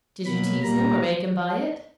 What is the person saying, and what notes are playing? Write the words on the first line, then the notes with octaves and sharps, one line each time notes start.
"Did you tease him, or make him buy it?"
B2 F#3 A#3 B5
A#2 G3 A#3 A#5